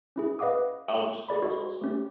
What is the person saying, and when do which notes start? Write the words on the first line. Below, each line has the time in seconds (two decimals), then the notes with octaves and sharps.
Elder Scrolls, also.
0.16 C#4 E4 G#4
0.39 B4 D#5 F5 F#5 D6 D#6
1.29 G#4 D5 B5
1.42 F#4 A4 D#5
1.82 A3 C#4 G4